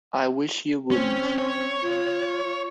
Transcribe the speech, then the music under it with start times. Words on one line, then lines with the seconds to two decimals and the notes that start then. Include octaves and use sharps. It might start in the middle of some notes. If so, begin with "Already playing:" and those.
I wish you wouldn't.
0.91 C4 C#4
1.38 C#5
1.82 F4